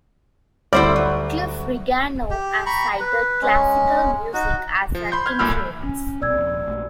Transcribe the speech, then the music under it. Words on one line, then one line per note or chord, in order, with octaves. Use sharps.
Cliff Rigano has cited classical music as an influence.
D2 G3 E4 C5 D5
F#3
G4
A#5 B5 C#6
B4
G#3 C#4
D#4 F#4
F3
B5 C6 G6
F6 G6 G#6
B1 A#2 A3 B5 E6 F6
C#4
B1 C3 C4 D5 E6 G#6
D#1 F3
A#1 A3